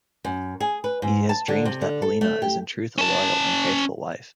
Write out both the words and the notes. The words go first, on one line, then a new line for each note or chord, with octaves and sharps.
He has dreamed that Paolina is in truth a loyal and faithful wife.
F#2
G#4
B4
G#2
A5
D3
C3
D3
A4
A3
G4
C#4 A5